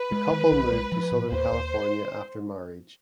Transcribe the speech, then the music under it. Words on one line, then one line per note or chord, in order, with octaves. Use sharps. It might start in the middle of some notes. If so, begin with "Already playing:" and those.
The couple moved to Southern California after marriage.
Already playing: B4
G#3
D#3
B1
G#3
F3
A2
D#2 C5
D#2